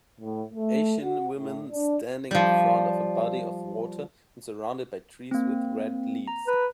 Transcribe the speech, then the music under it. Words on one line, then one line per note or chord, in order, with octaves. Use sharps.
Asian women standing in front of a body of water and surrounded by trees with red leaves.
A2
A3
F#4
A2
D4
F3 G3
A#3 C4
A#5
B4